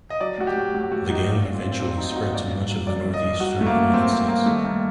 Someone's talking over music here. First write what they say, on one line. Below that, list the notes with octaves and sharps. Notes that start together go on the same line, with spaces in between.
The gang eventually spread to much of the Northeastern United States.
D#5
F#3 D5
A2 F#4
G4
A2
A2
G4
A2 F#4
A2 D#4
A#2 D4
A#2 D4
C4
A#2
C4
F#3 D4
F#3 D#4
D#4
A#2 F#4
F#3 D5
G2
F#3
F#3 D5
F#3
D#5
G2
F#3 F#4
G2 A3
A#3
G2
G2 C4
F#3 C4
G2 A#3
D#3 A3
G2 A#3